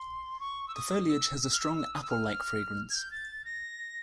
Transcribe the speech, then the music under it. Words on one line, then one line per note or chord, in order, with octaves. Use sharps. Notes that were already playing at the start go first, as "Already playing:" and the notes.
The foliage has a strong apple-like fragrance.
Already playing: C6
C#6
E6
D#6
E6
E6
F6
E6
E6
D#6
E6
F6
G#6
G6
A6
A#6